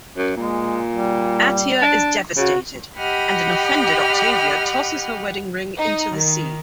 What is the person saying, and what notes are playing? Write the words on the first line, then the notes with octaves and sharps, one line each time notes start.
Atia is devastated, and an offended Octavia tosses her wedding ring into the sea.
F#2
A#2 G#3
G3
D4
C#3 F#4
G4 D#5 F#5 G5 B5 F6
D#4
D#3